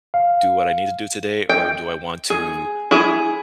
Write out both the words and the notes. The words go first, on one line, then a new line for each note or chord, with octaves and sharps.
do what I need to do today?" or, "Do I want to,
F5
G5
G#4
E4 G#4